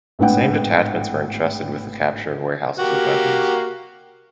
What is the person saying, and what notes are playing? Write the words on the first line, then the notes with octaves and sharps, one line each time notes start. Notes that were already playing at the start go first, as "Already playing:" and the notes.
The same detachments were entrusted with the capture of warehouses with weapons.
G#1 A2 B3 D4 F#5 G5
A#3 F#4 G4